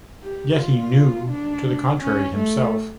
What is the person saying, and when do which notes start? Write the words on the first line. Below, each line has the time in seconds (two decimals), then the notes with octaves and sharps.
Yet he knew to the contrary himself.
0.23 G4
0.58 F4
1.30 D4
2.00 C#4
2.36 A3